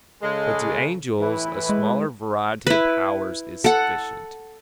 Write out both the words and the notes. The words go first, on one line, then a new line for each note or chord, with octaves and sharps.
But to angels a smaller variety of powers is sufficient.
C#3 G#3 A4
A2 E3 E4 B4
G#3
E4 B4
A4 F#5